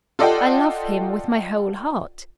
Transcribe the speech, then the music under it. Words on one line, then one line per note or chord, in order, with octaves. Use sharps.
"I love him with my whole heart."
F4 A4 D5 D#5 F#5 G5